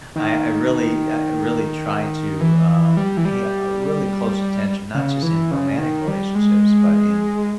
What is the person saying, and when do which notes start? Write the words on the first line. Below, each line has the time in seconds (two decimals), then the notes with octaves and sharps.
I I really I really try to, um, pay, uh, really close attention, not just in romantic relationships, but in,
0.16 D#3
2.40 E3
2.97 G3
3.17 E3
3.25 G3
4.95 C#3
5.23 E3
5.51 C#3
5.78 D#3
6.07 G3
6.35 G#3